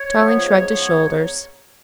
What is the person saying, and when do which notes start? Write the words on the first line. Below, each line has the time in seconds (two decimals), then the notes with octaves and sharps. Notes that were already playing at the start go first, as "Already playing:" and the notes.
Tarling shrugged his shoulders.
Already playing: C#5
0.19 F3 B3
0.44 G#2
0.70 F3 B3
0.95 G#2 C#5